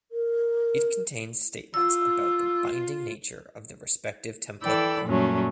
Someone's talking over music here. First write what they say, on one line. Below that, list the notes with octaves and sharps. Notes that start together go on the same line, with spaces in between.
It contains statements about the binding nature of the respective template.
A#4
F4 E6
E3 A4 D5 G5 B5 E6
F#2 A#2 F#3 G3 A3 C#4